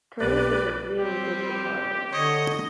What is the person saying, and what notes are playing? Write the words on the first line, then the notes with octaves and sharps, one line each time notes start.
Curtis was a "really" good guitarist ...
B1 G4 B4 D5
G3 C4 G4
D3 C#5 D#5